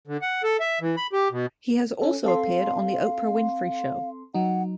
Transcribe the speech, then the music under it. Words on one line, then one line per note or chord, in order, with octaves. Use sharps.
He has also appeared on "The Oprah Winfrey Show".
D3
F#5
A4
E5
E3
B5
G4
B2
C#4 A4
C4 A4 F5 C6
F#3 D#4 F#5